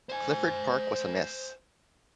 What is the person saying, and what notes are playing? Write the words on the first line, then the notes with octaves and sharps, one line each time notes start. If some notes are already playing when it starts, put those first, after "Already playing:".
Clifford Park was a mess.
C5 G#5